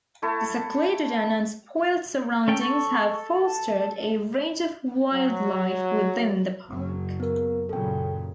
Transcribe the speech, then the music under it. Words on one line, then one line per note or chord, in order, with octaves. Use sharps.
The secluded and unspoilt surroundings have fostered a range of wildlife within the park.
A3 E4 A4
C#4 A4 G5
A4 C#6
A5
F#3
F#1 F#3
B3 A#4
F#2 A#2 C#3 A4 G5